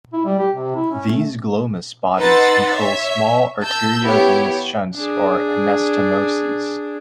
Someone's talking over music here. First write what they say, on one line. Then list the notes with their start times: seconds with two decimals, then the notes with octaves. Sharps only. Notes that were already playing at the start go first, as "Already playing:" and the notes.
These glomus bodies control small arteriovenous shunts or anastomoses.
0.13 E4
0.26 G3
0.39 G4
0.56 C3
0.75 E4
0.92 C#4
1.09 A3
2.17 D#4 B4 F#5 C6 E6 A6
2.73 C#5 E5
3.61 A5 E6 G6
4.03 B3 E4 G4 C#5
4.94 D4 G#4